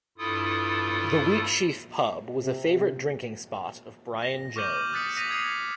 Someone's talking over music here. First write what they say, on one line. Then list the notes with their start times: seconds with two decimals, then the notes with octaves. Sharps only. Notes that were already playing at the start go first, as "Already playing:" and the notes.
The Wheatsheaf Pub was a favourite drinking spot of Brian Jones.
0.18 G2 E4 F4 A4 D#6
2.42 C3
4.23 A#6
4.56 C#6 D6 F6 G6 D#7 F#7
4.93 D#6 F#6 A6 B6 C#7 F#7
5.17 D#6 A#6 B6 D#7 F7 F#7
5.30 D#6 G#6 C7 C#7